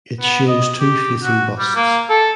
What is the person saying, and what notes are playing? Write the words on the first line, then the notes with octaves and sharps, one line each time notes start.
It shows two facing busts.
B3
D#5
G4
F#4
G3
A#3
A4